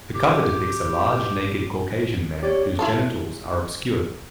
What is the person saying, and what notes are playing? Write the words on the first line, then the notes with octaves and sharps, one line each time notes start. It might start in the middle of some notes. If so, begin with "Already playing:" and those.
The cover depicts a large, naked Caucasian man, whose genitals are obscured.
G4
G4 C#5 D5
E4 F4 A4